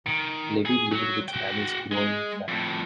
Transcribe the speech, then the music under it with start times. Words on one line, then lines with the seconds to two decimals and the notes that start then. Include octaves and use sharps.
Levi lived with Fanny's growing family.
0.06 D#3
0.66 G#4
0.92 F#3
1.28 F#4 G5
1.91 G#3
2.48 F2 A2